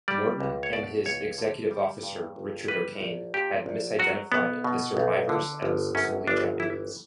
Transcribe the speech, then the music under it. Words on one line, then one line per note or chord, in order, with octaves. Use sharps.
Morton and his executive officer, Richard O'Kane, had misidentified the survivors as solely Japanese.
G3 D5
C#2
C#5
B2 D5
C#2 C#5
D3
G3
G2
G1
G3 B4
A#1
A#2 G4
A#1
F#3 F#4
B1 B3
B2
B1
D3
G1
F#2 C#4
G1 D4
E3 E4